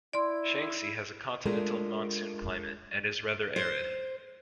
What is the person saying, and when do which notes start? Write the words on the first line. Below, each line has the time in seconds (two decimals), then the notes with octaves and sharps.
Shanxi has a continental monsoon climate, and is rather arid.
0.13 E4 D5 C6
1.46 G#3 A3 D4 F4 A#4
3.56 C5